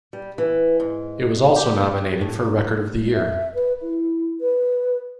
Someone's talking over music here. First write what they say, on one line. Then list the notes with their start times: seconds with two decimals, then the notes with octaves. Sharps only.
It was also nominated for Record of the Year.
0.13 G3
0.38 E3
0.80 G#2
1.56 G4
2.21 A2
3.01 G#3
3.14 E5
3.55 B4
3.82 E4
4.41 B4